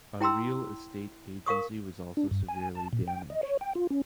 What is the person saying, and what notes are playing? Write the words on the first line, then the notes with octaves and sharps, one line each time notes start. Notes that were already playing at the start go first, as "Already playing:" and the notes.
A real estate agency was also severely damaged.
E4 G5 A#5 C6 E6
A#4 F5 C#6 D#6
D4
G2
G#5
A5
A#2
G5
D#5
C#5
G5
F4
C#4